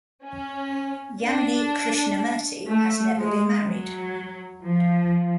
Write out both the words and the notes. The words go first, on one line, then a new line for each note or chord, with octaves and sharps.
Yamini Krishnamurthy has never been married.
C#4
D4
A3
G#3
F#3
F3